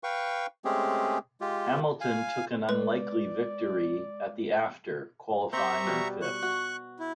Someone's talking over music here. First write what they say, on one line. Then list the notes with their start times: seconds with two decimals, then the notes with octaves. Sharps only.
Hamilton took an unlikely victory at the after qualifying in fifth.
0.03 B4 F5 G5 C#6
0.65 G#3 A3 C4 C#4 G4 G#4
1.41 G#3 F4 G4
2.01 F5 G#5
2.69 G#3 B4 D5
5.53 C4 G4 E5 A#5 C#6
5.87 B2 G3
6.22 C#6 F#6
6.43 F#4
7.00 E4